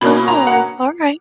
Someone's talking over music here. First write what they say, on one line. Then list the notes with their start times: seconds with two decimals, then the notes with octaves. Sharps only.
Oh, alright.
0.01 B2 A#3 C#4 B5
0.28 A#5
0.47 F#5